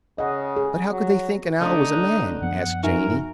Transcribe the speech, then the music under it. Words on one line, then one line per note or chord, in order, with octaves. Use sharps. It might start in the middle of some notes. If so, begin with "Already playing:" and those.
"But how could they think an owl was a man?" asked Janey.
C#3 D#5 F#5
G#4
F#3
D3 A3 D4 D#4
F#6
F#2 F3 B3 F#5
D#4 F#4 A#4 E5 G#5